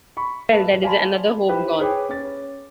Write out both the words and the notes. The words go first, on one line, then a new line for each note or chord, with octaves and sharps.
Well, that is another hope gone.
B5 C#6
B4 A5
D5 F5 G#5 A5 B5 C6
E4 G4 B4 C5
G#4 B4 C#5 G5 D6
C#4 A6